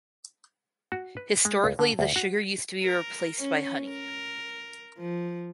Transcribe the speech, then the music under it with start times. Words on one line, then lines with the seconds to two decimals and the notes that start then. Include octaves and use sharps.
Historically the sugar used to be replaced by honey.
0.92 F#4
1.17 B4
1.45 G#3
1.64 C#2
1.79 D3
1.99 D2
2.16 F#4
2.83 A#4
3.38 C#4
3.88 A#4
4.98 F3